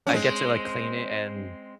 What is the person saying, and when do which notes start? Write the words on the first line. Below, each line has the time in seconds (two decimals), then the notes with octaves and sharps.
I get to, like, clean it and,
0.07 C#4
0.13 G#3 C4